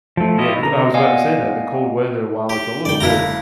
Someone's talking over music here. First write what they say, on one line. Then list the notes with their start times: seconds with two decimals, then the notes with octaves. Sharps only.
Yeah, the co I was about to say that, the cold weather, while it's a little bit
0.17 F3 A3
0.38 E4 F4 G4 C#5 D#5
0.62 D3 A#5
0.94 B3 D5 D#5 F5 F#5 G#5
2.49 G4
2.85 F#2 D3 G#3 D5 G5
3.01 F#1 E4 F5 A5 A#5